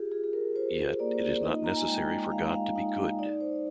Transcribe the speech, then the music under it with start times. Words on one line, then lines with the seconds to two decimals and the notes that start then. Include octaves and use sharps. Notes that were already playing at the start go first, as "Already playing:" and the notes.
Yet, it is not necessary for God to be "good".
Already playing: F4 G4 G#4
0.11 F4 G#4
0.24 G#4
0.33 A#4
0.56 F4 C5
0.99 A#3 D5
1.12 C5
1.25 D5
1.43 D#4 D#5
1.64 A#5
1.76 G#5
1.88 G#3 G5
2.32 G#3 F5
2.54 F5
2.75 D#4 F5
3.19 D#4 D5
3.40 C5